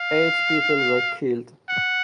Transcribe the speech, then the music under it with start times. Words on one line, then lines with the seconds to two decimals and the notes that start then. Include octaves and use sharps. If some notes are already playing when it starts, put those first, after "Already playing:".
Eight people were killed.
Already playing: F5
1.69 F#5